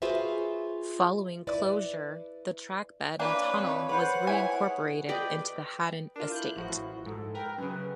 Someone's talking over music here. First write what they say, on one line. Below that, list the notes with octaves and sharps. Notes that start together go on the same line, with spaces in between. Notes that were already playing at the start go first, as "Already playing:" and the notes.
Following closure, the trackbed and tunnel was reincorporated into the Haddon Estate.
F4 F#4 G#4 B4 C5 E5
E4 B4 D5
E3 A#3 D4 B4 C#5
F2
B4 C5 F#5
E4 G#5
G#4
B4 D5 D#5 G5
D4 F4 A#4
E4 F#6 G6
A1 F3 F#4
G#2 A4
A#4 B4 G5
F#2 C#3 B4